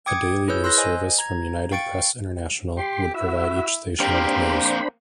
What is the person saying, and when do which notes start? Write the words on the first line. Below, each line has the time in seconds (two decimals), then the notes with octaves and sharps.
A daily news service, from United Press International, would provide each station with news.
0.06 G5 D6 D#6 G#6 C#7 D7
0.48 E4 G#4 B4 C#5 E6 G6
0.64 C6 E6 F#6 G6 A#6
0.78 C5 D#5 G#5
1.18 A#5 G#6
1.71 F5 G5 C#6 A6 C#7 D7
2.77 G4 C6
3.14 E4 F#4 E5
4.00 A#3 C4 D4 G4 C5 B5